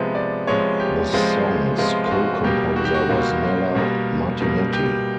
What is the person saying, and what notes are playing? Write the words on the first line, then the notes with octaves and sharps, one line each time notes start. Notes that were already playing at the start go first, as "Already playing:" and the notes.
The song's co-composer was Nella Martinetti.
Already playing: C3 F3 G#3 B3
D5
C3 F3 G#3 B3 C#5
G4
C3 F3 G#3 B3 F4
C3 F3 G#3 B3 F4
F4
F#4
B2 G3 A#3 G4
F#4
G4
F#4
B2 G3 A#3 F4
F4
B2 G3 A#3
B2 G3 A#3
G4